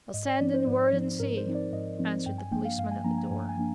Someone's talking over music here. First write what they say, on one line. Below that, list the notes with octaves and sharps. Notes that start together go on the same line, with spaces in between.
"I'll send in word and see," answered the policeman at the door.
G#2 D#5
D5
F3 C4 D#4 D5
C5
G#2 D5
F3 C4 D#4
G#2 A#4
C5
F3 C4 D#4
D5
G#2 D#5
F3 C4 D#4
G2 G5
G#5
F3 A#3 D4 G5
F5
G2 F5
G#5
F3 A#3 D4 A#5
G#5
G2 G#5
G#5
F3 A#3 D4